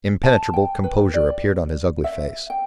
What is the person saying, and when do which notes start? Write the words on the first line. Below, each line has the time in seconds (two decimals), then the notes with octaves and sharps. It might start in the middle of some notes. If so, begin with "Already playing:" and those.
Impenetrable composure appeared on his ugly face.
0.23 A5
0.53 G5
0.84 B4
1.14 D5
2.04 E5
2.50 G5